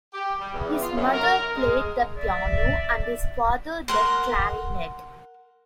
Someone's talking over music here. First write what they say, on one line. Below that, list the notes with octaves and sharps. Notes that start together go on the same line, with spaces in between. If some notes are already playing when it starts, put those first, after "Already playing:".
His mother played the piano, and his father, the clarinet.
G4
G3
E2
F4
F#2
A#4
G#3
D5 E5
A#4 F#5 C6